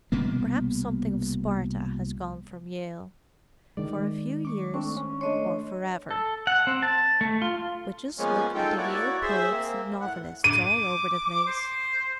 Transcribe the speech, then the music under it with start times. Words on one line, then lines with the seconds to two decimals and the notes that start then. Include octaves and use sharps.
Perhaps something of Sparta has gone from Yale, for a few years or forever, but just look at the Yale poets and novelists all over the place.
0.12 C2 B2 A#3 B3
3.77 D#3 G#3 D5
4.45 C#6 D6
4.74 A3 C4 D4 C#6
4.97 C#4
5.21 A3 D4 C#5 D#5 C6
6.11 A4
6.47 F#5
6.67 C4
6.82 A5
7.21 A3
7.42 F4
8.19 F3 G#3 A#3 B3 C#4
8.55 G#3 C4 D#4 F4 A4 G5
8.77 A#3 E4 F#4 C#5 D5
9.22 G#4 C5 E5
9.50 A#3 C4
10.01 A2 F#5
10.44 D6 D#7
11.46 C5